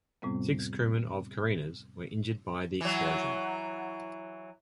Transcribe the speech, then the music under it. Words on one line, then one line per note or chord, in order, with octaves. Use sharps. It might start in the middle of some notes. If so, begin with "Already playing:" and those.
Six crewmen of "Carina"s were injured by the explosion.
F2 A2 C3 G3 B3 C4
E3 F#3